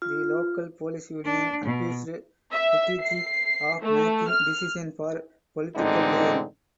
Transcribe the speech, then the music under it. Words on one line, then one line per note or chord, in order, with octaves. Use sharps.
The local police union accused Buttigieg of making decisions for political gain.
F4
D4
B2
E5
C7
A3
F6
A1 A#2 D3 G#3 C4 D#4